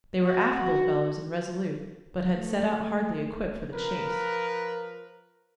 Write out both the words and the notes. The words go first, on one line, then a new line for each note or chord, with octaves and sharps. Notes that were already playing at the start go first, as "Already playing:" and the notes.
They were affable fellows and resolute, but had set out hardly equipped for the chase.
F#4
A3
F3 A#4 B4